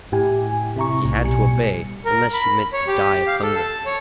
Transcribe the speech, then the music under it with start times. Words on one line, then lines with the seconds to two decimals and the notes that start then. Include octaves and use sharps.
She had to obey, unless she meant to die of hunger.
0.12 A2 E4 G4 G#5
0.76 C3 E4 A#5 C#6
1.05 B1 A2
1.24 B2 G3 G#5 C#7
2.05 A#4
2.34 B5
2.73 C#5
2.87 G4
3.27 F5
3.42 A4
3.55 A5
3.86 C#5